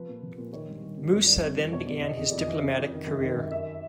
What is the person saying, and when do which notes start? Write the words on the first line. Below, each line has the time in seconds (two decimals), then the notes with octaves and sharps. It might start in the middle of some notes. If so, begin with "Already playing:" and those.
Moussa then began his diplomatic career.
Already playing: F3 B4
0.08 A#2
0.23 F3
0.38 A#2
0.53 D#3 C#5
0.68 G2
0.83 D#3
0.98 G2
1.12 F2 C#5
1.26 D#3 D5
1.40 C3 C#5
1.57 F2
1.72 B2 C#5
1.87 E2 D5
2.02 B2 D#5
2.17 E2 D#5
2.28 F2 D5
2.40 D#5
2.47 E3
2.62 C#3
2.77 F2
2.92 D#3
3.07 F#2
3.21 D#3
3.37 F#2
3.51 D#3 E5